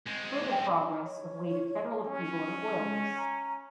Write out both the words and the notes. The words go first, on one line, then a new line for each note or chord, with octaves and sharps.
Further progress awaited federal approval of an oil lease.
G#3 C4
C#5
C#4
G#3
A#5